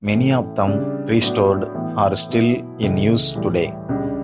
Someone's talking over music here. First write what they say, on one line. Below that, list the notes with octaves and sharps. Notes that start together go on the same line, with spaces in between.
Many of them, restored, are still in use today.
A2 E3 A3 C#4 E4
C#3 G3 D4
A2 F#3 B3 D4
A2 E3 B3
B2 F#3 B3 E4
C#2 C#3 E3 A3
A2 E3 G3
C#2 C#3 G3 D4